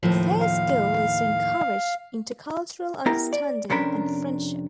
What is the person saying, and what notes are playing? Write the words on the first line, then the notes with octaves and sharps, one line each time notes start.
The Fair's goal is to encourage intercultural understanding and friendship.
D#2 A2 F3
F5
B3 E4 G4 A#4 A#5
D5
F2 C3 C#4 D4 A#4 B5